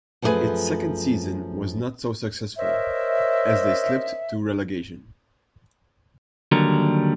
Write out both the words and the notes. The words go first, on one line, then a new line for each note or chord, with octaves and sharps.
Its second season was not so successful, as they slipped to relegation.
F#2 F3 A3 C#4 G#4 B4
A#4 C5 C#5 D#5 E5
D#2 D3 F#3 G3 A#4